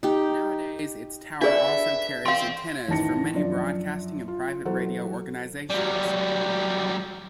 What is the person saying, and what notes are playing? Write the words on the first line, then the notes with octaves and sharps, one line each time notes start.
Nowadays its tower also carries antennas for many broadcasting and private radio organisations.
D#4 G4
D4 G#4 A4 B4 D5 E5
C5 F5 G5 C6
A1 D#3 E3 A5 A#6 C#7
F#2 F3 D4
F4
E3 F#3 F#4 A4 C5
F#3 G3